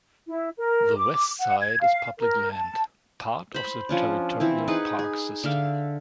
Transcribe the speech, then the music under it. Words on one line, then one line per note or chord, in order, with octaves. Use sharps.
The west side is public land, part of the Territorial Park System.
E4
A#4
D6
F#5
G#6
F5
A#4
A5
C5 B5
F3 C#4 D4
E3 C4 E4
D#4 G#4 B4 F#5
G#4
D3 E5 F5 D6